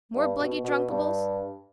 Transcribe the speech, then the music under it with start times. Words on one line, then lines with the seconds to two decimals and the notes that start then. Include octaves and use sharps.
More bluggy drunkables?
0.14 G2
0.39 B2
0.64 B2
0.89 G2